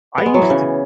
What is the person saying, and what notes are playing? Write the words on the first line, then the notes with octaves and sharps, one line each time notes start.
I used to
B3
G#3
F#3
E3
C#3